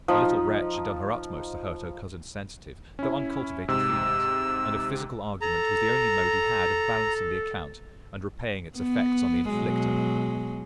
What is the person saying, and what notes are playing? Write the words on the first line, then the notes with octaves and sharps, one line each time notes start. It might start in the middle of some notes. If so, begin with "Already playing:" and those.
The little wretch had done her utmost to hurt her cousin's sensitive though uncultivated feelings, and a physical argument was the only mode he had of balancing the account, and repaying its effects on the inflictor.
F3 D#4
C#4 E4
G#2 C3 E6
A4 A#5
B3
B2 F#3 G#3